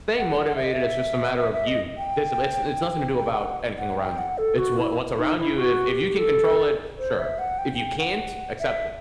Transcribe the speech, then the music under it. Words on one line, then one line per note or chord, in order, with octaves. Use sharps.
staying motivated, it's just a matter of you. Discip it's it's nothing to do about anything around you. It's wha what's around you if if you can control it, sure. If you can't, accept it.
F#5
F#5
E5
D#5
E5
E5
E5
D#5
G5
G5
F#5
F#5
G5
F#5
A4
F#4
E4
D#4
E4
F#4
G4
A4
C5
E5
F#5
G5
G5
F#5
E5